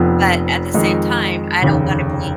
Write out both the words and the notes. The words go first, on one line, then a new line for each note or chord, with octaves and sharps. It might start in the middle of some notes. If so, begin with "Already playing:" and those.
but at the same time, I don't wanna be
Already playing: F1 F2 F3 B3
F2 D#3 G#3 D#4
F1 D#2 C#3